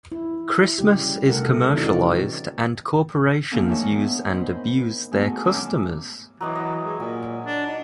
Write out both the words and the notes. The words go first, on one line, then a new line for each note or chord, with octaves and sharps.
Christmas is commercialized and corporations use and abuse their customers?
E4
C#3 G3 G4
C3 A3 A4 A#4 F#5
C#3 E3 C4 D#4 F#4 D5
E3 F3 G#3 A#3 B3 D4
D#3 A3 D#4 C#5 E5
B3
C5 D#5 B5 C6
G#3 A3 B3 D#4 F#4
F#2 A2 D#3 D6 E6
E3 F#3 D#5 D6
D#5
G#3
A#2 G#5
D4
D#4